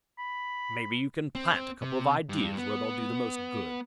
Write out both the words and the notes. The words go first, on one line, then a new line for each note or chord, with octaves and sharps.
Maybe you can plant a couple of ideas where they'll do the most good.
B5
C4
C3
G2
B3